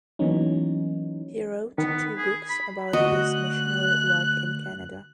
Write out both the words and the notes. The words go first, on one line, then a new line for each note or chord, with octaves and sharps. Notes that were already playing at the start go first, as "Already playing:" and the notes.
He wrote two books about his missionary work in Canada.
E3 F#3 A#3 B3 C#4 D#4
D#3 B3
G#4
B5
D2 F#4 D#5 F#6